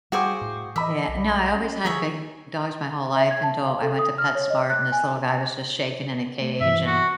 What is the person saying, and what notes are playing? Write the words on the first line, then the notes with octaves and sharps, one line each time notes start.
Yeah, no, I always had big dogs my whole life until I went to PetSmart and this little guy was just shaking in a cage, and
G3 F#4 G#4 C5 F5 G5 D6
A2
E3 D#5 E5 B5 D6
B1
C#4
D3 F3 G#4 C#5 E5
E5
G#6
A5
F5
A4
D#6
F6
C#5
D#5
F#6
G#5
A3
G2 E3 E5
F#4